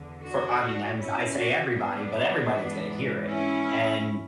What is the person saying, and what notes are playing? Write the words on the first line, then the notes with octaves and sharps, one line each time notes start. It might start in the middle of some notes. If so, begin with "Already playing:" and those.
for, I mean, I'm I say everybody, but everybody's gonna hear it, and
Already playing: E2 D3
D4 F#4
C#4 E4
D4 F#4
B3 D4
G#2 E3
C#4 E4